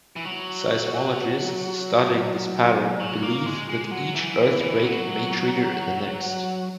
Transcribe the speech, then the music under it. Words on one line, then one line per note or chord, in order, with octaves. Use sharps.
Seismologists studying this pattern believe that each earthquake may trigger the next.
E3
F#3
F#3
A#3
G#3
G#3
F#3
E3
E3
E3
F#3